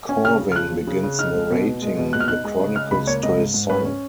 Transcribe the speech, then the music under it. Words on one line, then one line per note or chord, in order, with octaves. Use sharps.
Corwin begins narrating the Chronicles to his son.
C#4 G#5
C#3 F6
C#3
F6
F3 F#6
F3
C#3
C#3
D#4 F6
G#3
B2
B2
G#3
B2
A#2 F#6
F6
D#4 F#6
G#3
C#3
G#3 F6
C#2 B5
A#3 C#5
C#2 D#5
G#2
G#2
C#4 B4
C#4